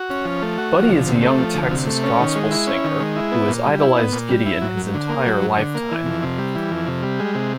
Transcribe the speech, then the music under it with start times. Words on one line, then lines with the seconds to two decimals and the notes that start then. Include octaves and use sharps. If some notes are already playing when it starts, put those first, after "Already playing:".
Buddy is a young Texas gospel singer, who has idolized Gideon his entire lifetime.
Already playing: F#4
0.10 C#4
0.25 F3
0.42 A3
0.58 F#4
0.75 F3
0.90 D2
1.07 C3
1.22 A3
1.38 F3
1.54 D2
1.71 C3
1.87 A3
2.03 C#4
2.20 D#3
2.35 G#3
2.51 E4
2.67 C#4
2.84 D#3
3.00 G#3
3.16 E4
3.32 B3
3.48 A#2
3.65 G3
3.80 E4
3.96 B3
4.12 A#2
4.29 G3
4.46 E4
4.61 F#3
4.77 F#2
4.94 D3
5.09 A#3
5.26 F#3
5.42 F#2
5.58 D3
5.75 A#3
5.91 E3
6.06 F2
6.23 C3
6.39 G3
6.55 E3
6.71 F2
6.87 C3
7.03 G3
7.20 G#3
7.35 C3